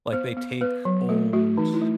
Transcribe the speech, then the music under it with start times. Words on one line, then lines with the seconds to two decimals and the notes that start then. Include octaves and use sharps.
like they take old
0.13 B3 C5
0.37 B3
0.61 B3 B4
0.85 F#3
1.09 A3 A4
1.33 A3 F#4
1.57 E3 D#4
1.74 E4
1.82 A3